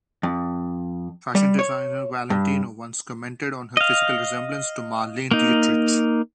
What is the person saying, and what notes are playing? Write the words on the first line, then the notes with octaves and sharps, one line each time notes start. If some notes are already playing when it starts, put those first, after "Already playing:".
Fashion designer Valentino once commented on her physical resemblance to Marlene Dietrich.
F2
G3
C#5
G2
D#5 F5
A#3 D#4